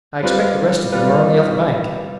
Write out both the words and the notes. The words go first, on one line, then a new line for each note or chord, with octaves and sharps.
I expect the rest of them are on the other bank.
G3 C4 F4 B4
G3 C4 F4 B4